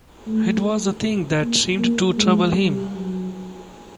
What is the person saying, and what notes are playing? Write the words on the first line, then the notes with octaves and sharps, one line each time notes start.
It was a thing that seemed to trouble him.
A3
A#3
A#3
G#3
G3
F#3